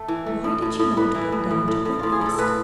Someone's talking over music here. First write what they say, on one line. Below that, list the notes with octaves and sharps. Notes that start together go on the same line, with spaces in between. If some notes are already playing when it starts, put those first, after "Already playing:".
Why did you not come down to breakfast?
Already playing: A3 A4
E3
A3
A2
A2
A2
A2 B4
E3
A2
A2
A2
A2
A2 F4
G#4
A2 A4
A2 B4